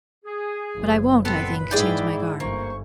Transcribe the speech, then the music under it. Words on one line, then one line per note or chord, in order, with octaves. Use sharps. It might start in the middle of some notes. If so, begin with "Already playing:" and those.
But I won't, I think, change my garb.
G#4
F#1
A#2 B3 C4 A4 B4 B5
G#2 E4 G#4 D5 G5
G1 A#3 C5 C#6